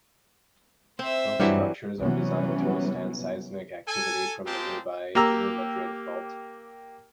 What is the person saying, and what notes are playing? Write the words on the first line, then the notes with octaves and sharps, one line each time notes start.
Both structures are designed to withstand seismic activity from the nearby New Madrid Fault.
C4 C5 E5
G2 E3 F#3 G3
C3 E3 F#3 G3 B3 C#4
A4 G#5
G#3 A#3 C4 G4 A5
A#3 G4 A#5 E6